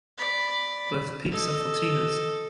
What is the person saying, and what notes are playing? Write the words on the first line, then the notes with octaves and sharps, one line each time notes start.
Both peaks are fourteeners.
D5 B5
A4 D#5